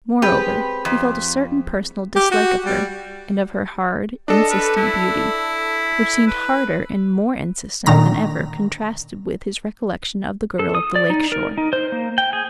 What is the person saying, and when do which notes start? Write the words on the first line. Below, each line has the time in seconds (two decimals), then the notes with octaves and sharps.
Moreover, he felt a certain personal dislike of her and of her hard, insistent beauty, which seemed harder and more insistent than ever contrasted with his recollection of the girl of the lake shore.
0.22 C4 G4 G#4 B4
0.85 F2
2.16 G4
2.32 F#4
2.66 G3
4.28 D4 A4 D#5
4.51 B4
4.76 E4
6.27 B4
7.86 A#2 D3 D#3 A#5 A#6
10.59 A4
10.75 D#6
10.96 D5
11.10 D#4
11.32 A#4
11.57 D#4
11.73 C5
11.92 A#3
12.18 G5
12.33 G#4